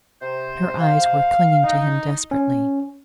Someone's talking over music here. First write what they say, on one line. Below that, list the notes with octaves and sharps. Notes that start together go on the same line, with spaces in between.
Her eyes were clinging to him desperately.
C3 C5
F5
D#4
C#4